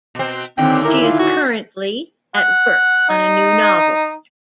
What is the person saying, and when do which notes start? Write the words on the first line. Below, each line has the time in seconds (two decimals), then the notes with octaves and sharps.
She is currently at work on a new novel.
0.15 B2 C4
0.58 D#2 A#2 D3 C4 G5
0.84 E4 A#4
1.03 F4
1.19 F#4
2.36 F#5
3.09 D#4